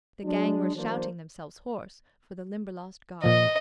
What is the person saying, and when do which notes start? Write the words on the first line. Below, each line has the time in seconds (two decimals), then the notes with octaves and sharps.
The gang were shouting themselves hoarse for the Limberlost guard.
0.24 F#3 G#3 D4
0.74 E3 F#3 A#3 D4 C5
3.24 A#2 F3 D#5